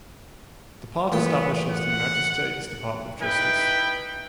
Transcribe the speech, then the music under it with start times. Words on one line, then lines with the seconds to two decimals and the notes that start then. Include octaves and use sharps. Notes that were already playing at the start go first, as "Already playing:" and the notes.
The part establishes the United States Department of Justice.
1.12 A1 A#2 B3 G5
1.71 F#5
3.21 D#4 E4 B4 G5